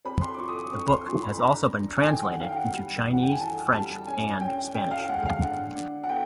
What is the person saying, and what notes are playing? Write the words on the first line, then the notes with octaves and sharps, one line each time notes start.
The book has also been translated into Chinese, French and Spanish.
C4 B5
C6
D6
F3 C#6
D#6
D6
C4 C#6
C6
F3 C6
B5
B5
D4 A#5
D4
G#5
D#3 G5
F#5
D#3 F5
G5
F#5
G3
E3
F#5
G5
G#5
E3 A5
G3 A5
C#4 G#5
C#4 G5
C#4 G5
F5
G#3 F#5
F5
D3 F#5
D4
F#5
B3 G5